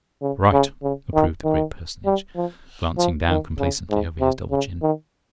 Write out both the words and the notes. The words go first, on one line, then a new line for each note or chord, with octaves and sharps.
"That's right," approved the great Personage, glancing down complacently over his double chin.
C#3
C#3
C#3
D#3
D#3
G3
F3
F3
D#3
C#3
G#2
C3
C#3
D#3